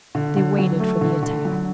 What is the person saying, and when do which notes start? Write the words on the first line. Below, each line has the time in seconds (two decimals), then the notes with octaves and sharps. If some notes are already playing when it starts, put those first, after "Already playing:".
They waited for the attack.
0.15 D3
0.37 D3
0.58 F#3
0.80 A3
1.01 D3
1.23 D3
1.45 F#3